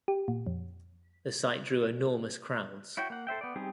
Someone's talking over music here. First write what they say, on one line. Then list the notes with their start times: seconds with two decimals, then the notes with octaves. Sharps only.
The site drew enormous crowds.
0.08 G4
0.28 A#2
0.47 F2
2.97 E4 F#4 C#5 G5
3.10 A#3 F#5
3.27 A4 C5 E5 G5
3.41 B3 D5
3.56 G3 C4 D#4 G4 G#4